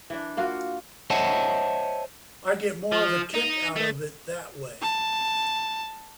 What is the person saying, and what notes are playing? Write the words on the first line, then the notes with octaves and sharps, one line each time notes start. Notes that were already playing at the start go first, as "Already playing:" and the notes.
I get more of a kick out of it that way.
E3 D4
A#3 F4 F#4
C5 C#5 D#5 E5 F#5 A5
F3
D#4
A3
A5